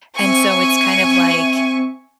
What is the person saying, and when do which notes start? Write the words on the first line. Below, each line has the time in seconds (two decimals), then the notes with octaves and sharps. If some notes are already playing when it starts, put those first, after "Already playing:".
and so it's kind of like,
0.16 C4 E5 G#5 C#6 D#7